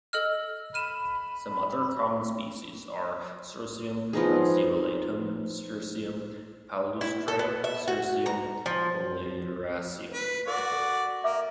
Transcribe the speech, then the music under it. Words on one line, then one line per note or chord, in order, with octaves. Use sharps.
Some other common species are: "Cirsium lanceolatum, Cirsium palustre, Cirsium oleraceum".
A4 D#5 F6
B5 F6 D#7 E7
F3 B3 D#4 G#4
E4
A4
B3
E5
F#4
A#5
F3
B4
F#4 A#4 D5
A4
A#3 E5 D6 E6